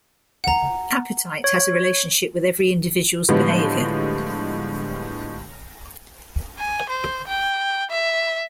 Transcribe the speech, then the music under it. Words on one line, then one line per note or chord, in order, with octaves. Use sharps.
Appetite has a relationship with every individual's behavior.
F#5 A#5
C#5
A2 D3 F3 G3 G#3 B3
G#5
C5
G5
E5